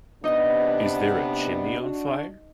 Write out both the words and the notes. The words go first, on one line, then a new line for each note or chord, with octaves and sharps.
Is there a chimney on fire?
C3 B3 D4 D#4 D#5
D4 F#4